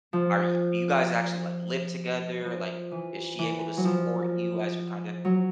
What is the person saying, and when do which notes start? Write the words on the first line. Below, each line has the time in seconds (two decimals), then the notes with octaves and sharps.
are y do you guys actually, like, live together? Like, is she able to support you as your kinda
0.13 F3
2.45 F3
2.91 E3
3.39 E3
3.77 F#3
3.85 F3
5.25 F#3